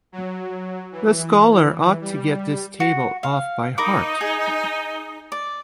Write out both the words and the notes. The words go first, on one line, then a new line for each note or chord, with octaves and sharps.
The scholar ought to get this table off by heart.
F#3
E3
G3
F#4
F5
D#4 A#4 B5 D6
G#4
D5